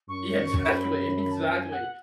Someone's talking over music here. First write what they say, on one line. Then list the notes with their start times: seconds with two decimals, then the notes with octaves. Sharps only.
Yeah, exactly. Exactly,
0.09 F#2 C#6
0.70 B5
1.31 A5
1.52 G#5
1.72 F#5